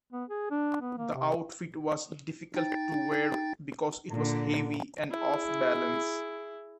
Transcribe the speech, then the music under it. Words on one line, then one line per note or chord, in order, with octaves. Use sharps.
The outfit was difficult to wear because it was heavy and off-balance.
B3
G#4
D4
B3
A#3
C3
D#4 G5 A6
A#2 D3
E4 G#4